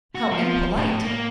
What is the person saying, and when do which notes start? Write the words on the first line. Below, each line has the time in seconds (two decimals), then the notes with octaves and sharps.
"How impolite."
0.15 F#4
0.32 F3
0.77 A2
1.05 A#3